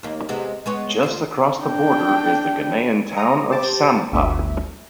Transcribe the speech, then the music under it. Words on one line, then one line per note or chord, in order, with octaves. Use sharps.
Just across the border is the Ghanaian town of Sampa.
D#2 A#3
C3 G#3 B3
G#3 B3 C#5
D2 F4 C5
D4 G5
D#5 A#5 D#6
G4 C5 A5 D6
G1 D2 E5